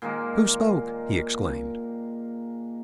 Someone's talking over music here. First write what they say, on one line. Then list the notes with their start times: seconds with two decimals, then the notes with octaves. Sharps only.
"Who spoke?" he exclaimed.
0.02 A#2 D#3 G#3 A#3